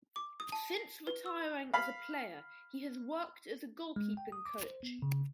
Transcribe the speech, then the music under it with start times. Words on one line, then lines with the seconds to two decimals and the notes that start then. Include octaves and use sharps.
Since retiring as a player he has worked as a goalkeeping coach.
0.16 D6
0.40 D#6
0.52 A5
0.77 C7
1.07 B4
1.26 E6
1.74 F5 B5
3.96 G#3
4.17 G5
4.32 D#6
4.46 D6
4.65 C5
4.83 B3
5.02 C#3